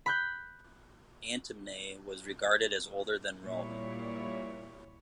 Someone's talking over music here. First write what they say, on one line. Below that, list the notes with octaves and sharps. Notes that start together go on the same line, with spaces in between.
Antemnae was regarded as older than Rome.
B5 F#6 G6
A#2 G3 E4 C#5